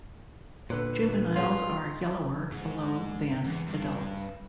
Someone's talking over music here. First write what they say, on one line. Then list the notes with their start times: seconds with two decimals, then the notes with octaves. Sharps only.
Juveniles are yellower below than adults.
0.70 A#2 D3 B3 B4
1.36 C#4 F4 F#4 G#4
2.52 G#2
3.45 E2
3.68 G2